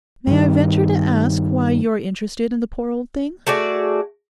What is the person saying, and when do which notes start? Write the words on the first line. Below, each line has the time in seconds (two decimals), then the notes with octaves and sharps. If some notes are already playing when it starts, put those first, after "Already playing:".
May I venture to ask why you are interested in the poor old thing?'
0.27 G2 D#3
3.47 A3 F#4 G#4 D5